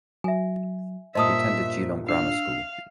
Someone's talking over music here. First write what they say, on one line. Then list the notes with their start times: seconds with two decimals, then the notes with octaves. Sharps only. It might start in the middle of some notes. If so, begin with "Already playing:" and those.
He attended Geelong Grammar School.
0.24 F#3 E5 G#5
1.15 G2 A#2 D#4 C5 D#5 E5 A5 D#6
2.08 D4 F5 E6 C7